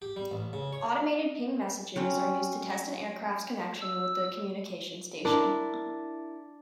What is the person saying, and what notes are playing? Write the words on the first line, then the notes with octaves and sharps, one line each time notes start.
Automated ping messages are used to test an aircraft's connection with the communication station.
G4
G3
A1
C#3
C#5
F#3 C4 C#4
E6
D4 E4 A#4